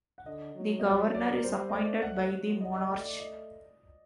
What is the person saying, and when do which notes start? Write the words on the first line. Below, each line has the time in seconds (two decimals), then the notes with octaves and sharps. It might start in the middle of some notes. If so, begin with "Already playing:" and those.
The Governor is appointed by the Monarch.
0.18 F#5
0.26 D3 D#5
0.55 F#3
0.80 D#5
0.84 F#5
1.14 D5
1.29 A#4
1.43 G3 C5
1.69 D#5
1.72 A3 D5
2.02 A3 F#5
2.16 F#5
2.32 F#3
2.61 G3 D#5
2.72 D5
2.76 D#5
2.90 A3 D5
3.05 D5
3.20 D#5